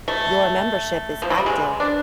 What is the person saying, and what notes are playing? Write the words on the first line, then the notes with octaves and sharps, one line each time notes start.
Your membership is active.
A3
F3
F#3
G3
G#3
D4